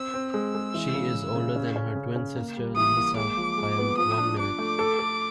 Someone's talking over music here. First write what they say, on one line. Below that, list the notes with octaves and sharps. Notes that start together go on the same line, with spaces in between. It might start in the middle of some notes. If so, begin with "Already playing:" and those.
She is older than her twin sister, Lisa, by one minute.
Already playing: C4 E6
C4
G#3 E6
G#3
E3
C#3
C#3
C#3
C#4
C#4
C#3
C#4
A#3
G3
E3 D#6
A#3
G#3 D6
F3
G#3
B3
F3 D#6
D4
D4 D6
A3
A4
A4